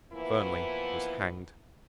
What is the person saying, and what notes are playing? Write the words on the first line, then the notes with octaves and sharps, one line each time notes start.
Fernley was hanged.
E3 F3 A#3 B3 E4